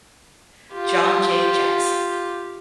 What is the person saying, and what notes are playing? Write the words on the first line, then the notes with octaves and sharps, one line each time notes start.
John Jay Jackson.
F4 G4